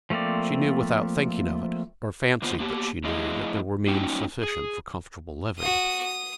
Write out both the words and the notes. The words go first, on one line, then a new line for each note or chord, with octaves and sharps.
She knew without thinking of it,--or fancied that she knew, that there were means sufficient for comfortable living.
F3 A3 A#3 C4 D5
D3 A#3 B3 F4 C5
A#3 B3 G4
F2 A3 E4 G#4 D#5 F5
F#3 A#3 C#4 D#4 G5
G#4
F#4 D#6
D#6